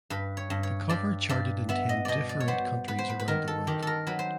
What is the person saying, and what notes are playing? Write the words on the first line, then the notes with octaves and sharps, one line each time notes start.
The cover charted in ten different countries around the world.
G2 B4
C#5
G2
C#5
G2 D5
G2 D5
B3 E5
D#5
B2 D5 D#5
D5
C#5
B3 C5
B3 B4
C5
B4
B4
D#3 A#4
A4
D#3 G4
A4 A#4
F#3 B4
C5